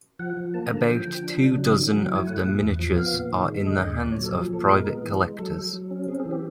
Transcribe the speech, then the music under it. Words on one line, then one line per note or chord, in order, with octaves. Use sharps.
About two dozen of the miniatures are in the hands of private collectors.
F3 F#5
F3
A#3 A5
A#5
D3
A5
F3 G5
F3
D4
C#3
F#3
D#3
F#3 F#5
G5
E4
G#5
A3 F#5
A#2
E2
F3
B3 F5
A#2
D#3
G#3
D3 D#5
D#2 D#5
A#2 D5
C#5
F#3
A4
F3 G#4
A#2 A4
G#3 A#4
B3
E3
G#3
F#3 A4
F#3
F#3
C#4
C4 G#4
G#4
E3
G4